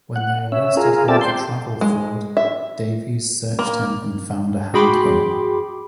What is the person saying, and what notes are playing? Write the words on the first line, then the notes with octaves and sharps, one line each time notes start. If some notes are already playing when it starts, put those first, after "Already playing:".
When they arrested him for travel fraud, Davies searched him and found a handgun.
F#5
C#4 E5
F4 G#4 A#4
C4 G4 A4 D5 E5 A5
G5 C6
G#3
E5
A#3
F#4 G#4 G5 B5 C6 D6